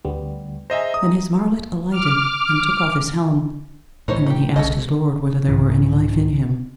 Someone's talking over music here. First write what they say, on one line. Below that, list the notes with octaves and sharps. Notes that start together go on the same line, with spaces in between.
Then his varlet alighted, and took off his helm, and then he asked his lord whether there were any life in him.
D2 G3 B3
G#4 C5 D#5 E5 A#5
D#6
D6 F6
A2 C3 E3 D#4 C5 C#5
D#4 G4
B1 F3 G#3 C#4 A4 D#5
C2 G#2 D#3 E3